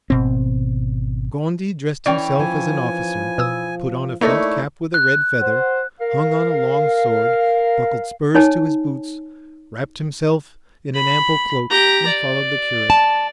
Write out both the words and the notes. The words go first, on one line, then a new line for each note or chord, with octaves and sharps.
Gondy dressed himself as an officer, put on a felt cap with a red feather, hung on a long sword, buckled spurs to his boots, wrapped himself in an ample cloak and followed the curate.
G#1 B2 C4
E3 C#4 D5 G5
F3 G#5
B2 D#6 E6
A3 A#3 D#4 E4 A4 A#4 C#5 D5
F#6
C5 F#5
A#4 F5
D#4 C#5 G#5 A5
B5
G4 A#5
D5
A5